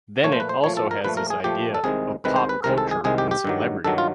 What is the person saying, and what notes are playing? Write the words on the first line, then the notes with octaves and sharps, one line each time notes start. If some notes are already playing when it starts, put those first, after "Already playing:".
Then it also has this idea of pop culture and celebrity.
A#2 F3 A3 C#5
C5
B4
C5
A#2 F3 A3 C#5
A4
A#4
A#2 F3 A3 B4
A#4
G#4
A#2 F3 A3 G4
A4
C2 C3 D#3 G#3 G#4
C2 C3 D#3 G#3 B4
C5
B4
C2 C3 D#3 G#3 A#4
A4
G#4
C2 C3 D#3 G#3 G#4
G4
G4
G2 D#3 F#3
G2 D#3 F#3 A4
F4